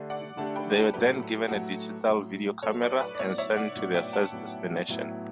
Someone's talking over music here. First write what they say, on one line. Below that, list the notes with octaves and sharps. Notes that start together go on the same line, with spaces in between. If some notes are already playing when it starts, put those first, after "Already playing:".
They were then given a digital video camera, and sent to their first destination.
Already playing: D3 A3 D4 G4
D5 F#5
D3 A3 D4 G4 F#5 A5
G5 B5
F#5 A5
A2 F#3 A3 G4 B4
A4
G4
A2 F#3 A3 F#4 A4
A2 F#3 A3
A2 F#3 A3 A4 C#5
B4 D5
B4 D5
D5
A2 F#3 B3 E4 C#5 E5
D5
C#5 E5
D5 F#5
A2 F#3 B3 E4
E5 G5
F#5 A5
A2 F#3 B3 E4
A2 F#3 B3 E4